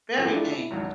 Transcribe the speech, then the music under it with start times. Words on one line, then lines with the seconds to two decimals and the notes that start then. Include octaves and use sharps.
Very dangerous.
0.16 A2 F3 F#3 G#3 A3 C4
0.30 A3 D4 E4 F4 G#4
0.50 E4
0.71 G#1 C#2 F#3